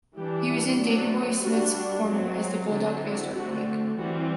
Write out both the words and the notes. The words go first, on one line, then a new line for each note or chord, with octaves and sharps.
He was in Davey Boy Smith's corner as the Bulldog faced Earthquake.
E3 G3 D4 G4
E4
F#3 A3 C4 D4
G3 D4 F#4
F#3 C4
D3 F#3 C4 E4
E4
D3 A3 C4 F#4
E3 G3 C4 F#4